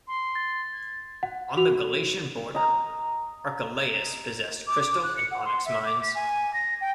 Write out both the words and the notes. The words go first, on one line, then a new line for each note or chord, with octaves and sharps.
On the Galatian border, Archelaus possessed crystal and onyx mines.
C6
A6
G#6
F#5
F#4 F7
D#5 A#5
D6
D6
F#6
C#7
F#5
C6
E5
D6
B6
G#5
A#6
G5